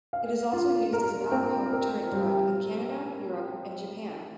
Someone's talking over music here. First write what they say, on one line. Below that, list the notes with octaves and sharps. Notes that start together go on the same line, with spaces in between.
It is also used as an alcohol deterrent drug in Canada, Europe and Japan.
F5
F4
A#4
C4
A#4
G3